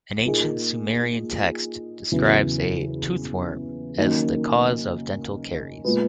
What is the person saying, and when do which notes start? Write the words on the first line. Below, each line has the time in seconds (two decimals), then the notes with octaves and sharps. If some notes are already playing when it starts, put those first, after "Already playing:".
An ancient Sumerian text describes a "tooth worm" as the cause of dental caries.
0.25 A#2 A#3 D#4 G#4
2.12 E2 C#3 F#3 B3 E4
3.98 D#3 F#3 A#3 C#4
5.85 A#2 G#3 B3